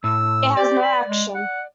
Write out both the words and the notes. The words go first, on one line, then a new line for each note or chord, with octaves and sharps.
It has no action.
A2 E6
G4 D5
B5
G#3
F#5